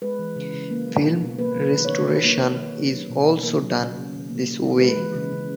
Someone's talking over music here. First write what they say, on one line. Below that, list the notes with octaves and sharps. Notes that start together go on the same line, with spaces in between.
Film restoration is also done this way.
G#3 B4
E3
C#3
C#3
A#3
F#3
B2
B2
A#3 B4
F#3
B4
D#3
C#5
D#3
D#3
A#3
A#3
D#3
A#3
F#3
B2
B2
A#3
F#3
C#3
C#3
D#3
A#3
A#3
D#3
G#3 B4
E3
C#3
C#3